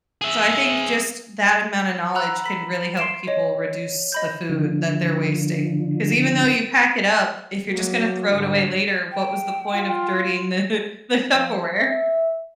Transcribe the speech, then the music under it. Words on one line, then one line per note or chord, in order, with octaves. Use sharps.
So I think just that amount of knowledge can really help people reduce the food that they're wasting. 'Cause even though you pack it up, if you're just gonna throw it away later, what was the point of dirtying the the Tupperware?
G#4 E5
F#5 A#5 B5 E6 F#6
B5 B6
C6 C7 D7 E7
C#5 D#5
D#5 B5 G6
D3 F3
F#3 A#3
G#2 D3
G5
F4
F3
E5